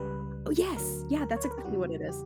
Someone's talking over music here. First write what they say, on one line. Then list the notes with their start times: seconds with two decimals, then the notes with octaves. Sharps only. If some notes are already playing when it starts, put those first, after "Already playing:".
Oh, yes! Yeah, that's exactly what it is.
Already playing: C#2 C#3 G3 B4
0.76 D2 D3 F#3 A#4
1.21 A#4
1.36 C#5
1.44 B4
1.51 A#4
1.58 G4
1.65 E2 C#3 E3 G3 F#4
2.09 G4